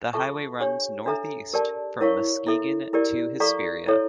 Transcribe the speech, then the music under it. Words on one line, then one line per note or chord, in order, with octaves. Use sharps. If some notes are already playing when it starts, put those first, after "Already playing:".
The highway runs northeast from Muskegon to Hesperia.
F4 A4 E5 A5 C#6
D4 G4 C#5
D4 A4 E5 A#5
G4 A#4 D5 A5
E4 A#4 C#5 F5 C#6
E4 A4 E5
E4 G4 A#4 D5
A4 D5 F5 A#5 C#6
E4 A4 C#5 E5